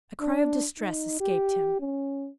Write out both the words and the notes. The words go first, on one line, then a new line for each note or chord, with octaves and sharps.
A cry of distress escaped him.
D4
D#4
G4
C#4